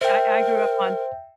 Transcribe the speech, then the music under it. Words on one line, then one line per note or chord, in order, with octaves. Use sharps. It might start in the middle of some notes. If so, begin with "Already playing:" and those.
I I grew up on
A#4 C5 E5 G5